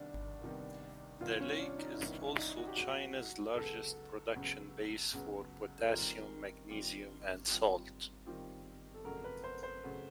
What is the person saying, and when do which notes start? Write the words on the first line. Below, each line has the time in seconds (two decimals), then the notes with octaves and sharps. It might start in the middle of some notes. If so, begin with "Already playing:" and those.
The lake is also China's largest production base for potassium, magnesium, and salt.
Already playing: C2 C3 D#3 G3 B3 D4
0.42 C2 C3 D#3 G3 B3
1.20 C2 C3 D#3 G3 B3 F4
1.40 C#4
1.59 D4
1.79 D#4
1.93 E4
1.98 C2 C3 D#3 G3 B3 D#4
2.18 E4
2.38 D#4
2.58 F#4
2.67 G4
2.76 C#2 C#3 F#3 B3 F#4
3.55 C#2 C#3 F#3 B3 A4
4.34 C#2 C#3 F#3 B3
5.13 C#2 C#3 F#3 B3
5.79 A4
5.91 D#3 G3 C4 F4 A#4
6.69 D#3 G3 C4 F4
7.48 D#3 G3 C4 F4
8.26 D#3 G3 C4 F4
8.94 A4
9.04 F2 C#3 F#3 A3 A#4
9.24 B4
9.44 C5
9.63 C5
9.83 C#3 F#3 A3